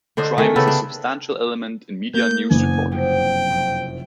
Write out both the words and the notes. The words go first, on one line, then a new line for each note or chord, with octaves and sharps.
Crime is a substantial element in media news reporting.
D3 D4 C5 D#5
D#3 A3 G#4 A#4
C#3 B3 G4 A4
D4
A#3 G6
F#1 B3 D4 D#4 G#5
F2 C3 F#3 G5
F1